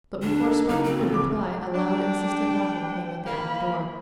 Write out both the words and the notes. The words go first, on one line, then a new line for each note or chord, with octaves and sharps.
But before Spargo could reply, a loud insistent knocking came at the outer door.
D2 D4
A#3 D#4 A4
C#3 F#3 D#4
C4
A1 F3 A3
C#3 D6
D4 G5
A#3 B5